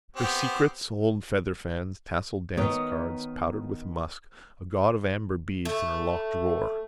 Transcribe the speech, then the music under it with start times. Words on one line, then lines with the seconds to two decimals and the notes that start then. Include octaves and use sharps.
Her secrets: old featherfans, tasselled dancecards, powdered with musk, a gaud of amber beads in her locked drawer.
0.16 B3 C4 G4
2.57 D#3 B3 A#4 C#5 D#5
5.65 A3